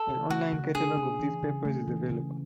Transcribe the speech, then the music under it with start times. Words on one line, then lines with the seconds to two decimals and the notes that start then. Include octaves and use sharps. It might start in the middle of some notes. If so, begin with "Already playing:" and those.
An online catalogue of these papers is available.
Already playing: A4
0.09 C#3
0.30 A3 F#4
0.53 C#3
0.75 D4 G#4
0.98 D4
1.20 E3
1.43 C#3
1.65 A3
1.88 E3
2.10 C#3